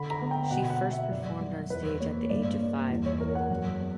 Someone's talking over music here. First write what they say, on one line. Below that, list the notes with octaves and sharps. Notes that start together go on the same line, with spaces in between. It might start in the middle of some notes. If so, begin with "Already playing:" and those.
She first performed on stage at the age of five.
Already playing: D3 B5
A#5
B3
G5
B2 F#5
F#5
B3
E5
F#2 D5
G3
E2 B4
A#3 C#5
G2 D5
A#3
E2
C#5
E3 A#4
F#5
F#2
B3